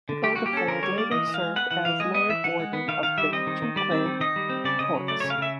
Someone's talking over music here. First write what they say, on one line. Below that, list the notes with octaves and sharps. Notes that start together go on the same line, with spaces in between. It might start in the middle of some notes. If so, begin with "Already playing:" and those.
De Guldeford later served as Lord Warden of the Cinque Ports.
D3
G3 G4
A#3 F#4
G4
C#4 A4
D3 A#4
G3 C#5
A#3 D5
E3 D#5
E3
F5
G#3
B3 F#5
E3 F#5
E3 F5
G#3 D#5
B3 D#5
E3 E5
E3 F#5
G#3
B3
D#3 F5
D#3 F5
G3 E5
C4 D#5
D#3
D#3
G3 D5
C4
D#3
D#3 D#5
G3
C4
C#3 D5
C#3 D#5
F#3
A3 D5
C#3 C#5
F5
C#3 E5